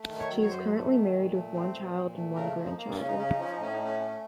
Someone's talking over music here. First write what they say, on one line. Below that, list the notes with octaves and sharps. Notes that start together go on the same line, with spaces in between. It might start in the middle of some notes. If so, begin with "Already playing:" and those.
She is currently married with one child and one grandchild.
Already playing: A3
D#3
C#5
F#3
C#5
F#2 C5
A3
D#3
A#2
A3
C4
A#2
A#2
A3
C#3 A#4
F3
D#4
A#3
C#3 C#4
D#4
C#3 C#4
D#4
F3 C#4
D#4
A2 C#4
D#4
A3 C#4
C#4